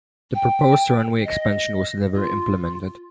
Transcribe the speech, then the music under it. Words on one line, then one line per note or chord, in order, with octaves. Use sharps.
The proposed runway expansion was never implemented.
G5
D#5
F4